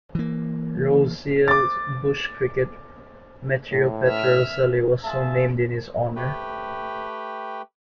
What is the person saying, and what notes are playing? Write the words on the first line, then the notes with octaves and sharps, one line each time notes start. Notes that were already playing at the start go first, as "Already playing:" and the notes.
Roesel's bush-cricket "Metrioptera roeseli" was so named in his honour.
E3 A#3
D6 A6
A2
E5 F6
F4 G#4 E5 A5
A3 G4 B4 G5